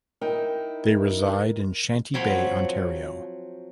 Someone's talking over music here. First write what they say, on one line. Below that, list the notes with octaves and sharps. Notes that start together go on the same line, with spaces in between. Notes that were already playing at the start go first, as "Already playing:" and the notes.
They reside in Shanty Bay, Ontario.
D#4 E4 A#4 G5
F3 F#3 C4 C#5 B5 C6